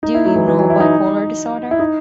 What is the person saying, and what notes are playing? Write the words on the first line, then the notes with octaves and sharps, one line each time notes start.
Do you know Bipolar disorder?
D#4
E4
F#3
E3
E3
F#3
E4
D#4
E4
D#4